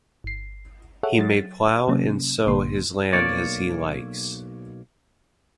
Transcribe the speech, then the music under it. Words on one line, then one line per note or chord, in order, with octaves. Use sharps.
He may plough and sow his land as he likes.
G1 C7
G#4 A4 C#5 E5 F#5
F#3 A6
C3 F#3 A#3 C#4
A1 A#2 D3 A#3 C6
B1 A#3 C#5 D5